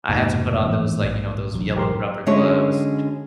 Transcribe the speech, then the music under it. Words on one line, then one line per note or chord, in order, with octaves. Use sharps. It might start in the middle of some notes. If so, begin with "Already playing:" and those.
I have to put on those like, you know, those yellow rubber gloves
F1 D#2 G#2 B2
A2 E3 C4
A#1
E1 A1 F#3
G4 A#4 C6
D3 G#3 C#4 E4 F#4 C#5